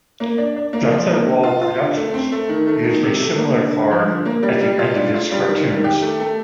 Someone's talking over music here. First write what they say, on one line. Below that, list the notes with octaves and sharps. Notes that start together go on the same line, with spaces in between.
Gunther-Wahl Productions used a similar card at the end of its cartoons.
A#3
D4
D4
A#3
F3
A#3
D3
F4
F4
D3
A3
C4
A3
D#3
A3
D#3
C3
A3
A#3
D3
D3
F3
D3
A#3
G3
G3
F4
D4
F4
G3
D#3
D#3
G4
A3
A3